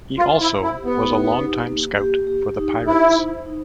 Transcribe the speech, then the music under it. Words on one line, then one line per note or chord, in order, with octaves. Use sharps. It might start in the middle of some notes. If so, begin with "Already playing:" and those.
He also was a longtime scout for the Pirates.
F4 C5
E4
C5
E4
G4
B3
D#4
G4
A#3
G4
G4
D#4
E4 C5
C5
D#4